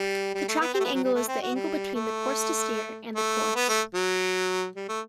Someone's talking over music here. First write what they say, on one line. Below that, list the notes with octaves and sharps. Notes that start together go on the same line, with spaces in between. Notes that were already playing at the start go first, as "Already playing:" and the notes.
The tracking angle is the angle between the "course to steer" and the "course".
Already playing: G3
G3
A3
B3
C4
A3
B3
F#3
G3
A3
C4
F#4
G3
A3
A3
B3
A3
F#3
G3
A3